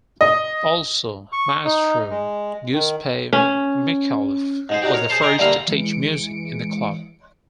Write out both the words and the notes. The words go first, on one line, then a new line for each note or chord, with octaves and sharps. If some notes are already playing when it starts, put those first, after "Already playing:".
Also, Maestro Giuseppe Micallef was the first to teach music in the club.
D#5
C#6
D#4
G#3
D#3
C#4
G#2 G#3 C5
D4 D#4 F#4 G4
A#4 C#5
G#4 C5 A5 C6
D#5 G5 G#5 A#5 C6 C#6
D3 G3 A#3 E4 F5 A#5
E3 G#3 C#7 D7